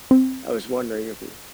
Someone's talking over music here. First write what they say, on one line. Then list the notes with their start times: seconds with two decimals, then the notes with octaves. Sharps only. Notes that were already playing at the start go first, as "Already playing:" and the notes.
I was wondering if you
0.11 C4